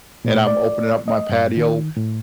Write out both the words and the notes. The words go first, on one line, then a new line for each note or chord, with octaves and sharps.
and I'm opening up my patio,
A#2
D5
D#5
G2
D#3
A2